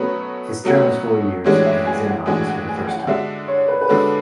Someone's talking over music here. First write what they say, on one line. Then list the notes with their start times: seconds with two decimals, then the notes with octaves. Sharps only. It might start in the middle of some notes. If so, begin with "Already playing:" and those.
His term is four years, and he is in office for the first time.
Already playing: B2 F#3 A3 C#4 F#4 B4
0.64 B2 F#3 A3 C#4 F#4
1.44 A2 E3 G#3 D4 F#4 C#5
1.66 E5
1.85 G#5
2.06 F#5
2.26 A2 E3 G#3 D4 F#4 G#5
2.46 F#5
2.68 G#5
2.87 F#5
2.99 F#5
3.07 D3 G#3 D4 F#4 E5
3.48 C#5
3.68 B4
3.81 B4
3.89 D3 G#3 D4 F#4 A4